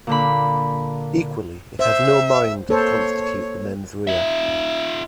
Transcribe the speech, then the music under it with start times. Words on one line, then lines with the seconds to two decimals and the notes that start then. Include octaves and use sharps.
Equally, it has no mind to constitute the "mens rea".
0.07 A#2 D3 B5
1.79 C5 E5
2.69 A#3 A4 C5 C#5
4.07 F4 E5